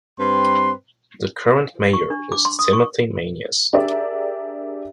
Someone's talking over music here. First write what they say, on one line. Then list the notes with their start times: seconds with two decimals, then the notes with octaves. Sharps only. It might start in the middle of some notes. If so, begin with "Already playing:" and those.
The current mayor is Timothy Maniez.
0.19 G2 C4 B4 C6
1.93 C#6
2.10 D4
2.32 D6
2.45 C6
2.59 D#6
2.73 C#6
3.73 D4 G4 G#4 A#4 D5 E5